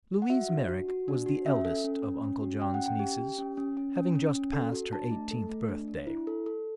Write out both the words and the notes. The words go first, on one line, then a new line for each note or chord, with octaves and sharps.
Louise Merrick was the eldest of Uncle John's nieces, having just passed her eighteenth birthday.
F#5
F#4 E5
D4
F#4
F#4
D4
F#4
C#4 E5
A4
C#4
C#4
C#4
F#4
C#4 G5
F#5
C#4
G5
G4
G4
C#4
C#4
C#4
C#4
C#4
C#4
A4
F#4
D4 A5
A3
A4
A3
D4
D4
E4
A4
A4